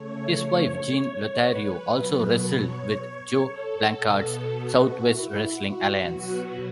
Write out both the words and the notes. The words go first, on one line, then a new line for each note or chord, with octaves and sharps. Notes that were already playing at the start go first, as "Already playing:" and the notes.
His wife, Jean Lothario, also wrestled with Joe Blanchard's Southwest Wrestling Alliance.
Already playing: C#3 A3 C#5
C#5
B4
B2 F#3 B3
C#5
A4
B2 B3
F#4
E4
F#4
B2 F#3 B3 F#4